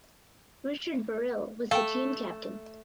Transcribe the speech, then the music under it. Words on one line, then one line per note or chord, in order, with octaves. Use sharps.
Richard Burrill was the team captain.
A3 A4 F5 G5